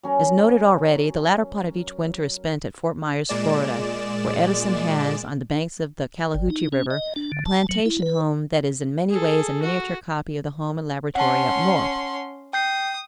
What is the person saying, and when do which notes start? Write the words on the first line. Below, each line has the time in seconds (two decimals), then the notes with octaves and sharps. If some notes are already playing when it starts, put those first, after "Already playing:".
As noted already, the latter part of each winter is spent at Fort Myers, Florida, where Edison has, on the banks of the Calahoutchie River, a plantation home that is in many ways a miniature copy of the home and laboratory up North.
0.03 F#3 C#4 A#4
3.28 A#2 G#3 D5 E7
6.34 G1
6.50 D#4
6.73 C#4
6.91 D#5
7.16 D4
7.32 D3
7.46 A5
7.69 F#3
7.86 E4
8.02 B4
9.10 G#4 A4
9.62 F#4
11.15 C#4 F#5 A5 C6
12.53 G5 D#6 G6 C7